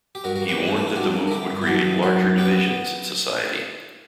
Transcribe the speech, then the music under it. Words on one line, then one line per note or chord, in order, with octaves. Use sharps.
He warned that the move would create "larger divisions" in society.
G4
G2 F#4 A#4
F#4 A#4
A#3
G4 B4
G2
C#4
A#3 D4
E4
G3 D4 F#4
A#3
A#4
D3 E4 G4
G2
E4
F#2 D4 F#4
B3
F#2 F#4 A#4
F#2
B3 G4 B4
B3